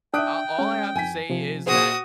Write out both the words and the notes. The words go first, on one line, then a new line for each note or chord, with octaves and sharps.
A all I have to say is that
D4 E5 G5 D#6 F#6 D7
G#3 C#4
F2 G#5 B6
C3 F3
A#2 F#4 G#4 C5 D#6